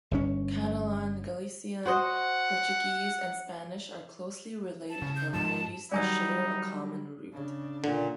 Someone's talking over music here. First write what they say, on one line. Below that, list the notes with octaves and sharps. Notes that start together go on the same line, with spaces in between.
Catalan, Galician, Portuguese, and Spanish are closely related varieties that share a common root.
G1 D3 C#4
F#4 C5 D#5 F#5
A5
C#3
G6
G#2 F3 A5
D#3 F#3 G3 D#4 D5 G#5 E6
C#3 D4
A#2 D3